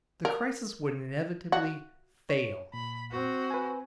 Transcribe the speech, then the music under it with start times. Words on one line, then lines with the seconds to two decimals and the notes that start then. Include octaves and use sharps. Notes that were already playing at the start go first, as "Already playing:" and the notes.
The crisis would inevitably fail.
0.25 A#4
1.52 F#4
2.29 C#5
2.74 A#2 B5
3.11 C4 F#4
3.51 B4 G#5